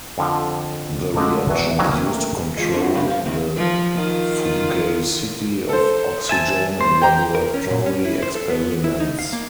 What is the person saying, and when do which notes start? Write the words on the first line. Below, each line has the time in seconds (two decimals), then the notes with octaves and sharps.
The reaction is used to control the fugacity of oxygen in laboratory experiments.
0.18 F2 D3 F3
1.16 D3 G#3 A3 D#5 F5 A5
1.50 E2 F#3
1.79 F2 D#3 E3 F#3
1.92 A#3
2.06 C3 A3 A#3
2.57 G#2 F4 G#4 D#5
2.72 C4 D4 E4 F4 G4 A#4
2.95 A2 C#3 B3 F5 F#5 B5
3.07 C5 F5
3.25 F2 D#3 A#3 C4 E4
3.56 F3
3.94 D#3 F4
5.69 A4 C5
6.29 E5 G#5 A5
6.81 C5
7.02 G4 G5 A#5
7.35 A#4
7.54 C#4
7.71 A#2
7.86 C#4
8.05 E4
8.23 C5
8.35 A4
8.50 B3
8.84 E4
9.00 D#4
9.19 F5
9.33 A#3